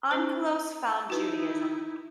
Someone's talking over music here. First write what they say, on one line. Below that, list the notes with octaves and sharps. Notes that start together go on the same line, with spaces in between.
Onkelos found Judaism.
C#4 D#4 C5
D#4 E4 F#4 B4